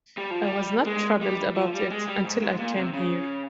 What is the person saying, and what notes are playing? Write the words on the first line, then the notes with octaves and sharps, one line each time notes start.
I was not troubled about it until I came here.
G3
F3
G3
G#3
G3
F3
G3
G#3
G3
G#2
G#2
A#2
C3
C#3